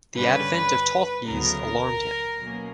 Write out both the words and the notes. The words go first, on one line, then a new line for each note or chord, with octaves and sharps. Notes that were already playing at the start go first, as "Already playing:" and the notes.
The advent of talkies alarmed him.
G2 D3 G3 C#4 B4
D2 C#3 F#3 B3 A#4
B2 F#3 A#3 C#4